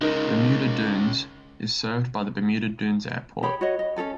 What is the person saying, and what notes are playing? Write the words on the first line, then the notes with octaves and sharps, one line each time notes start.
Bermuda Dunes is served by the Bermuda Dunes Airport.
C#2 C#3 D#4 A#4 A#6
G4 G#4 C#5 B5
F#4 C#5 D#5
D#5
C#4 G#4 A4 G#5